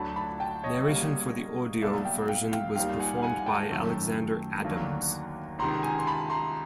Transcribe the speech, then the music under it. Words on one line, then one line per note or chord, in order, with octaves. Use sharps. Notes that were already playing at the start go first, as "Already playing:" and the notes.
Narration for the audio version was performed by Alexander Adams.
Already playing: D2 D3 F#3 A5 B5
A5 B5
G5 A5
C#5 D#5
C#2 B2 G3 A#3
C2 B2 F#3 A#3 D5 E5
F5 G5
F5 G5
F5 G5
D#2 D#3 G3 F5 G5
F#5 G#5
F#5 G#5
G5 A5
F#2 D#3 F#3 A3
D#2 D3 F#3 A#3
C#2 C3 D#3 A#5 C6
G#5 A#5
C6
A5 B5
A#5 C6